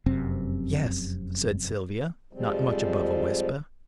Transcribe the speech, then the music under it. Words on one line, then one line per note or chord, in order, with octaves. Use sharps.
"Yes," said Sylvia, not much above a whisper.
F1 F#2 C3 C4
F2 C3 F3 G3 G#3 C4